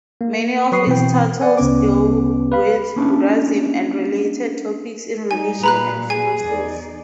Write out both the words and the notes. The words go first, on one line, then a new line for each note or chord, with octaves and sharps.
Many of its titles deal with Buddhism and related topics in religion and philosophy.
A#3
F#3 B4 B5 C#6 D#6 C7
B2 E3 C4 G5
D5 F#5 G#5
D2 C#3 B3 C#4 B4 D6
B4 F5 B5
A#3 C#4 D4 E4
G3 D#4 G#5
A#2 B4 A#5 B5 F#6
G#4 G#5
E2 D#4 D5